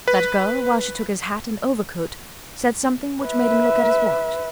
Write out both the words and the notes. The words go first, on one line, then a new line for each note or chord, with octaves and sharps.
That girl, while she took his hat and overcoat, said something which made him look at his watch.
B4
B4 E5